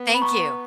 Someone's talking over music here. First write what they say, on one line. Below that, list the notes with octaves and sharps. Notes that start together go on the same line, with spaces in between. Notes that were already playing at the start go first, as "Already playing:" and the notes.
thank you.
Already playing: B3
B5
A#5 C#6